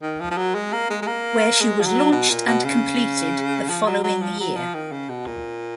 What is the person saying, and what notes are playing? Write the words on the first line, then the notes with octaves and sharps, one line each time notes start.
Where she was launched and completed the following year.
D#3
F3
F3
F#3
G#3
A#3
G#3
G#3
A#3
G#3
F3
F#3
B2
A#2
B2
C#3
F3
F#3
F#3
F3
F#3
F3
D#3
C#3
B2
A#2